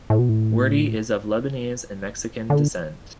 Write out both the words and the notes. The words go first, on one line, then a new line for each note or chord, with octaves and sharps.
Wardy is of Lebanese and Mexican descent.
A2
B2
A2
D3